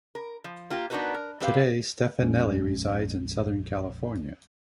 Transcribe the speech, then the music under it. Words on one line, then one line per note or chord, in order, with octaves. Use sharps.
Today, Stefanelli resides in Southern California.
A#4
F3
A#3 F4 G4 A#4
B3 D4 D#4 F#4 A#4 B4
A#4
G3 C4 G4 B4 E5 F5
A#1 F2 G#3 C#4